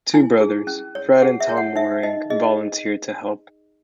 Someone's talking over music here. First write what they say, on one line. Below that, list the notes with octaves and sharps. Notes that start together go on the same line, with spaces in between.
Two Brothers, Fred and Tom Waring, volunteered to help.
E4 G#5
G#4
C#4
C#5
G#4 F#5
E5
C#5
F#5
D#4 E5
D#4 D#5
G#4 D#5